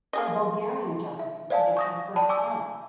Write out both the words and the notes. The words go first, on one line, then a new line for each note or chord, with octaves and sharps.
A Bulgarian jumper competed for the first time.
A#3 G#4 D#5
E5
C5 D5 F5 G#5 A5
C#6 D#6 A#6
D5 G5 A5 B5
G#5 C#6 D6 E6